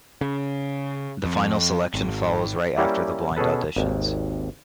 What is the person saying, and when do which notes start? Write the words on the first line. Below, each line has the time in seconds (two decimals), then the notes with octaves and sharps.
The Final selection follows right after the blind auditions.
0.21 C#3
1.25 F2
1.94 G#1
2.77 G3 A#3 C#4 E4 G4 D5
3.36 B2 C#4 G#4 A4 B4
3.76 G#1 D#2